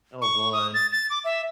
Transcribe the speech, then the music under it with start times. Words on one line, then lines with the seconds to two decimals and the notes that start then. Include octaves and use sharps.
Oh, god.
0.22 C#6
0.53 D#6
0.74 A6
0.92 A6
1.10 D6
1.25 E5